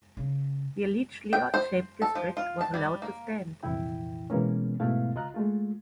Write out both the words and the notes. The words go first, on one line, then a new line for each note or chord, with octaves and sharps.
The allegedly odd-shaped district was allowed to stand.
C#3
G5
C5
A4
F3
F4
A5
G3
A#3
C2 F2 A#2 E3 E4 G5
B2 E3 G#3 A#3 B3 C#4
G#2 B2 A3 B3 E4 F5
C#2 F4 D#5 A#5 F#6
G#3 A3 F4